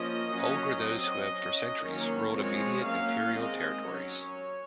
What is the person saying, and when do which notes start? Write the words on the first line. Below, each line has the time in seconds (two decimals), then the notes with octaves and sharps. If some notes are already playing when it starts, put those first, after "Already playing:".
Old were those who have for centuries ruled immediate imperial territories.
Already playing: F3 A#3 C#4 D#5
0.30 F#3 C#4
0.81 F#3 C4 D#5
1.32 F#3 C#4
1.83 D#3 F#3 A#3 C#4 C#5
2.34 F3 G#3 C4 C#5
2.85 F#3 A#3 C#4 F5
3.35 D#3 G#3 C4 D#5
3.87 F#3 C#4 C#5